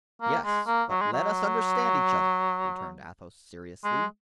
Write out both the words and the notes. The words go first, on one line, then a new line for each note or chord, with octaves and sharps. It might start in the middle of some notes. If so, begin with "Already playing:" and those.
"Yes, but let us understand each other," returned Athos, seriously.
A#3
G#3
A#3
F#3
G#3
F#3
G#3